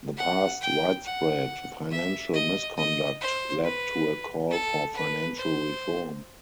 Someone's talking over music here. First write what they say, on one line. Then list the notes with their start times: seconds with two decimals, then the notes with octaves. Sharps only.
The past widespread financial misconduct led to a call for financial reform.
0.17 F#5
0.61 G5
1.04 F#5
1.91 E5
2.34 D#5
2.77 D#5
3.21 C5
3.63 B4
4.50 A4
4.94 B4
5.36 C5